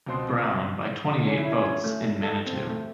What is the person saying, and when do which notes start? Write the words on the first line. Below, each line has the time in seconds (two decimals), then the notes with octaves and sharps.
Brown by twenty-eight votes in Manitou.
0.06 C#2 B2 C4 C6
1.05 D3
1.25 C#4
1.38 E4
1.52 C#4
1.84 A3
2.23 A4
2.47 C4
2.70 A3